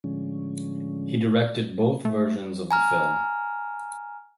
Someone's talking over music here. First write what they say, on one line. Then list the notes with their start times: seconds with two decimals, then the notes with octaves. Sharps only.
He directed both versions of the film.
0.04 A2 D3 F3 G#3 C#4
2.05 A3
2.71 G#5 A#5 F6